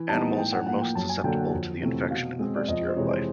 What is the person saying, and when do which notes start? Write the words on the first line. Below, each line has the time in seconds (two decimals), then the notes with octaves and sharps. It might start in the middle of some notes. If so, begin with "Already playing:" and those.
Animals are most susceptible to the infection in the first year of life.
Already playing: E3
0.09 G3 B3 D#4 A5
0.37 A2 G5
0.52 F#5
0.66 F3 A#3 F#5
0.81 G5
0.95 F#2 A5
1.09 G#5
1.24 D3 F#3 A#3 G5
1.38 F#5
1.53 F2
1.81 C3 E3 A3 C4
2.11 B2 F5
2.39 G#3 C4
2.56 D5
2.68 F2 D#5
2.88 C5
2.96 C3 E3 G#3 C#5
3.11 C5